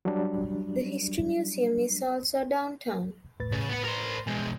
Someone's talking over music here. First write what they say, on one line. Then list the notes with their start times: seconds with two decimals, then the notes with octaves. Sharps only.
The history museum is also downtown.
0.05 F#3 G3 D4
3.40 A2 B4 A6
3.52 C#3
3.69 B3 F#5
3.85 A#4 C5
4.27 B2 G#3 G#5 G6